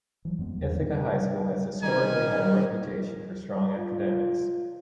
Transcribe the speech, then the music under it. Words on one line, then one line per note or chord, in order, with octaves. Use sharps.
Ithaca High School has historically had a reputation for strong academics.
E3 F#3
F#2 F3 G#3 B3
E2 G2
A2 D3 B3
D#3 G3 C#4 D#4 A#4 D5 G#5
F4